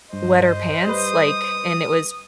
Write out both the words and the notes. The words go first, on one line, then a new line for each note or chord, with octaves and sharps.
wet her pants, like, and it was
G2 C5 D#5
G3 B4 D#6